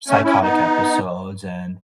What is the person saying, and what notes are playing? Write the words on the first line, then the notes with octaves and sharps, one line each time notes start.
psychotic episodes, and
A3 C#4
C#4 E4
B3 D#4